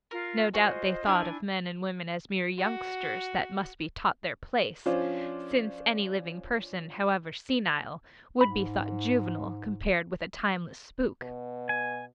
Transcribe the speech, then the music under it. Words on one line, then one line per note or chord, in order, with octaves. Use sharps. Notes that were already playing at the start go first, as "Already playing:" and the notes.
No doubt they thought of men and women as mere youngsters that must be taught their place, since any living person, however senile, would be thought juvenile compared with a timeless spook.
F4 A#4
F4 F#4 G#4 C5 D#5
D4 E4 G#5
F#4
F3 C#4 D4 F4 C5 D5
G#2 B5
B2
G#5